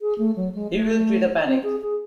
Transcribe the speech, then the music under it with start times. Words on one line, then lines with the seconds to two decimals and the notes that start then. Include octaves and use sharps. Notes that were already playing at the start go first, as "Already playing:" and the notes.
He will create a panic.
0.01 G#4
0.18 A3
0.36 F#3
0.55 G#3
0.73 A3
1.46 C4
1.63 G#4
1.82 G#4